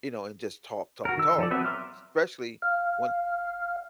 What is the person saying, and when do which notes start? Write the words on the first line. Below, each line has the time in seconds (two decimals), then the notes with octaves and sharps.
you know, and just talk, talk, talk, especially when
1.05 F#4 A#4
1.17 D#3 E6
1.38 F3 A4 D5
1.51 F#3 B3 C4 B4 E5
1.64 E5 A#5 C6 D6 F6
2.62 F5